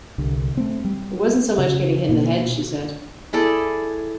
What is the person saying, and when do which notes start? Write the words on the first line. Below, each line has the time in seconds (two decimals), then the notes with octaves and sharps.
"It wasn't so much getting hit in the head," she said.
0.18 C2 D3
0.57 A3 C4
0.85 G3
1.58 C#3
2.09 B2 A#3 D4
3.33 E4 G#4 A4 D5